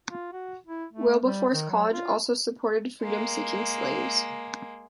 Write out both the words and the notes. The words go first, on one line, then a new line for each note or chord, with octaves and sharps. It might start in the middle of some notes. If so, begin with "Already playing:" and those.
Wilberforce College also supported freedom-seeking slaves.
F4
F#4
E4
A3
G3
D#3
F#3
F4
G#3 A#3